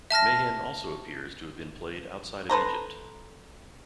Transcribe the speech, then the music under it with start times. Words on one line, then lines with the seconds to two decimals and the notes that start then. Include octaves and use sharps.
Mehen also appears to have been played outside of Egypt.
0.11 E5 A5 F6 A#6
2.49 A4 B4 C5 A#5